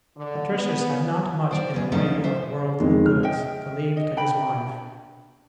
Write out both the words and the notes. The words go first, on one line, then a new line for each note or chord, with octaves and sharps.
Patricius had not much in the way of worldly goods to leave to his wife.
D3
B3
C5 D5
B3 G#4
C#3 F3 A3 C#4 D#4
C5 E5
F2 D#3 G#3
F6
D#5 E5 G5
D#5
D4 G5 B5